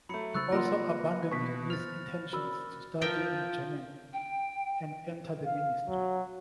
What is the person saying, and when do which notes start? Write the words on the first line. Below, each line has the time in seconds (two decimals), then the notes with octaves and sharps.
He also abandoned his intentions to study in Germany and enter the ministry.
0.09 F#3 A3 B5 C#7
0.34 C#3 D#4 C5 B5 C#6 E6 F#6 A6
0.52 A#3 F4 A#4 D#5 F#5 C6 A#6
1.31 B2 C#6 B6
1.70 C5 F6 A6 F7
2.33 C#4 F#4 A#4 D5 B5 E6
3.01 F3 F4 A#4 E5 F5 G5 A5
4.13 G5
5.45 F5
5.87 F#3